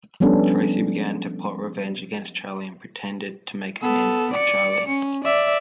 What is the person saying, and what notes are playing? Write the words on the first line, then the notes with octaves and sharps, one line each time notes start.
Tracy began to plot revenge against Charlie and pretended to make amends with Charlie.
F3 G3 B3 C#4 D4 A4
B3 A4
D5 C#7
C#4
D5 E5